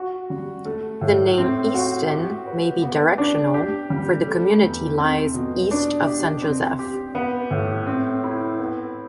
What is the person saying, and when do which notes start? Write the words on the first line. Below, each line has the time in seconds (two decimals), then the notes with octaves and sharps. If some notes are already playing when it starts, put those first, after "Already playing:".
The name Easton may be directional, for the community lies east of Saint Joseph.
Already playing: F#4
0.30 G3
0.65 A3
1.01 A2
1.38 C4
1.74 F#4
2.10 G4
2.46 B4
2.82 B3
3.18 D4
3.54 G4
3.90 G3
4.27 A3
4.62 E2
4.99 C4
5.34 B2
5.71 D4
6.07 G4
6.42 C4
6.79 G4
7.15 B3
7.51 A2
7.86 C4
8.24 E4
8.59 B3